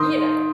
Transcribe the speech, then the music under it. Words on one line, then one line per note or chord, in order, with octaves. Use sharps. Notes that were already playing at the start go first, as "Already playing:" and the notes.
you know,
Already playing: D#3 C6 D#6